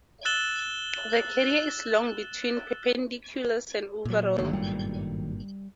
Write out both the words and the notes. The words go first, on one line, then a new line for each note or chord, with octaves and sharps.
The carrier is long between perpendiculars, and overall.
E6 F#6 A6 E7 F#7 G7
A#2 F#3
G1 D3 D#3 F#3 A3 A#3
G#1 G2 A#2 G3